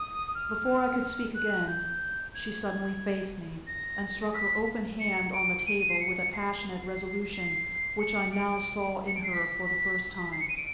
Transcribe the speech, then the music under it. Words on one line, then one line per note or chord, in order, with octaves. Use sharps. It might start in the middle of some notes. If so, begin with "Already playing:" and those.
Before I could speak again, she suddenly faced me, and struck her open hand on the table with a passionate resolution which I now saw in her for the first time.
Already playing: D#6
F6
F#6
G6
G#6
A#6
B6
C#7
D7
D#7
C7
C#7
C#7
C7
C7
C#7
D7
C#7
D7
C7
B6
B6
B6
C7
C#7
D#7
D7